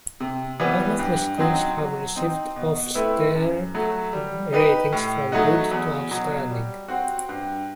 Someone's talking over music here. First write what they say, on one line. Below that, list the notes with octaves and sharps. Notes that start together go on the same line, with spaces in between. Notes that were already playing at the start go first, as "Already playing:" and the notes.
All of the schools have received Ofsted ratings from "good" to "outstanding".
C3
E3 G3 B3
G2
F#3 C4 D#4
F#3
C4 D#4
B2
A3 C4 E4 B4
F#2
F#3 A3
G3
D#4 G4 B4
A2
F#3 A3 D#4 F#4
E2
B2 F#3
G3
C4 F#4
G2